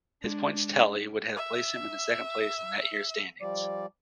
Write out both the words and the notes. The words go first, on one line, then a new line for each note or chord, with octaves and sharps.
His points tally would have placed him in second place in that year's standings.
G#3 D4
E5
F3 G3 D5